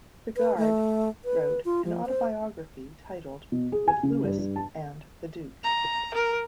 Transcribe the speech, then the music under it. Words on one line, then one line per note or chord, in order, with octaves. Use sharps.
Bigard wrote an autobiography entitled "With Louis and The Duke".
B4
A3
B4
F4
F3
C5
B2
G#4
G#5
C#3
G2
G2
A5
A#5
A#4